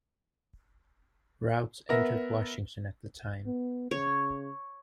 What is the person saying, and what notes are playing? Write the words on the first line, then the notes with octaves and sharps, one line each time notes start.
Routes entered Washington at the time.
B3 A#4 E5 A#6
B3
C#3 C#5